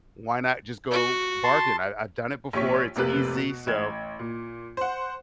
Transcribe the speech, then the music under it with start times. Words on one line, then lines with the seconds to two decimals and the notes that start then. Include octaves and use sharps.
why not just go bartend? I I've done it before, it's easy," so,
0.91 F#4
1.44 A5 C6
2.53 A#1 G4 C#5 C#6 B6
2.96 F1 C3 A#3 G4 B4 F#6
3.35 B2
3.67 A1 G#6
4.19 A#2
4.77 C5 F#5